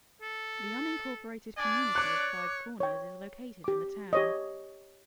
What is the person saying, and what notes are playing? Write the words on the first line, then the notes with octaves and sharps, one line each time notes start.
The unincorporated community of Five Corners is located in the town.
A4
D4 D5 G#5
C#5 D6 F#6
C#5 G5
G4 D6
G4 C#5 D#5